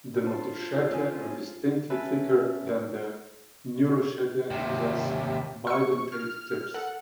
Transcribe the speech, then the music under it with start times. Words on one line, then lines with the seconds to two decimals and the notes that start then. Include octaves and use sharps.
The notochaetae are distinctly thicker than the neurochaetae and possess bidentate tips.
0.23 D4 F4 C5 A5
0.91 C4 C#4 G#4
1.90 C#4 B4 E5 A5
4.50 D#2 C3
5.67 C#6 E6 C#7
6.12 F6
6.74 A4 F#5